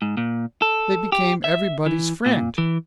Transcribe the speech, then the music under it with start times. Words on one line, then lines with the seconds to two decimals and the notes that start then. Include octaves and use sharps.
They became everybody's friend.
0.02 G#2
0.17 A#2
0.62 A4
1.12 G4
1.44 E5
1.86 E3
2.26 A#2
2.58 E3